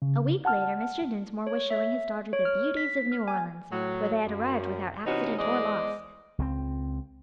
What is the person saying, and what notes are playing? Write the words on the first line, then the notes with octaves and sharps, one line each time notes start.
A week later, Mr. Dinsmore was showing his daughter the beauties of New Orleans, where they had arrived without accident or loss.
C#3
F#5 A5 F6
C#5
E5
C#5
F6
B6
F6
G#5
A2 F#3
F#2
C3 E3 B3 C#4 D#4 F#4
E2 G#3 C5 D5 D#5
C#2 A3 C4